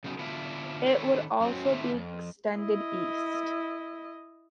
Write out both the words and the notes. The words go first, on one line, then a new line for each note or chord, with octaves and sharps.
It would also be extended east.
C#3 F#3 B3 D#4
D3 B3 D4 E4 F4
D#3 C4 D4 A4 B4 C#5
F#2 F#3 C4
C3 D#3 A3 D4 E4 F4
F2
E4 D#5